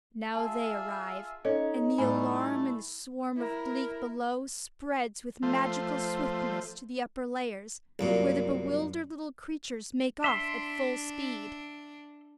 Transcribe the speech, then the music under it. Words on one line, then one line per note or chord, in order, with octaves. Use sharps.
Now they arrive, and the alarm in the swarm of bleak below spreads with magical swiftness to the upper layers, where the bewildered little creatures make off at full speed.
F4 G#4 E5 A5
C#4 D#4 A4 C#5 D#5
A2 G3 A3 G#5 B5
E4 A#4
F3 A3 C5
C2 F#2 A#2
D4 E5 C6